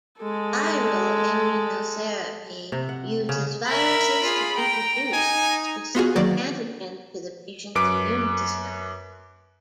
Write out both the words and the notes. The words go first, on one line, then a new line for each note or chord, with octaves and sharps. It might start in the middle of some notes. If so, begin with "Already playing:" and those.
Viral immunotherapy uses viruses to introduce specific antigens to the patient's immune system.
G#3 A4
C3
F#5
C#3
A#4 E5 B5
F4 G#4
G5 A#5
D#4 G#5
B3 F4 F#4 G#4
D#3 F#3 A#3 D5
F#2 B4 D6 D7